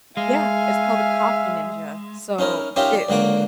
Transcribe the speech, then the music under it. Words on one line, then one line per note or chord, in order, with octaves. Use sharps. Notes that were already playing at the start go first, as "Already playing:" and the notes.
Y yeah, it's called a Coffee Ninja. So it
G#3 E5 F5 G#5
C#4 D#4 E4 A#4
C#4 D#4 F4 G4 A#4 E5
D5
C#2 D3 A#3 F#4 D6